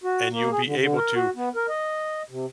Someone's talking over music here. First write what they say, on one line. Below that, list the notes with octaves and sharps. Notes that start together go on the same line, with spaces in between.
and you'll be able to
F#4
A#3
G#4
D3
D3
A#4
F#4
B3
A#4
D#5
C3